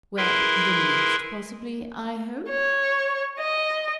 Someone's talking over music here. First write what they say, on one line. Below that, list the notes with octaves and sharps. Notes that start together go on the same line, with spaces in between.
'Well, the next possibly, I hope?'
E4 G#4 A#4 B4 E5 C6
C#5
D#5